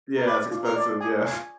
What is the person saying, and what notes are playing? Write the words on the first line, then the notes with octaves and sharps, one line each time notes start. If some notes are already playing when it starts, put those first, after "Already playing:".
Yeah, it's expensive. Yeah.
A#4
B4 D5
F4
A#4
D5
G#4 G#5
F4 G#5